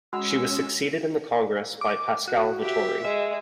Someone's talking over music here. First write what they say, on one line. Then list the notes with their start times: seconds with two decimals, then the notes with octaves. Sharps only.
She was succeeded in the Congress by Pascal Vittori.
0.13 G#3 C#4 F#4 F#5 B5 E6
1.81 D6
2.28 F#4
2.59 G4 E5
3.05 G#3 E5